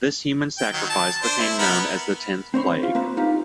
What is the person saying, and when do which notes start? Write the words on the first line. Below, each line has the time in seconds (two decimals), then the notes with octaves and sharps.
This human sacrifice became known as the tenth plague.
0.58 G5
0.73 D#3 F#3
0.89 A5
1.23 D4 C5
1.39 E4
1.59 B3 A#4 B5
2.54 C4 C5 C#5 B5
2.83 F4
2.95 A#3 C4 B4 C5
3.17 D#4 F4 G4